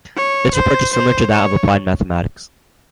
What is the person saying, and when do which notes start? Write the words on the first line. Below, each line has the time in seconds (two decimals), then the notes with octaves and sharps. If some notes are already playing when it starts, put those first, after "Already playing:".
This approach is similar to that of applied mathematics.
0.17 C#5
0.54 C5
0.93 C5
1.31 C#5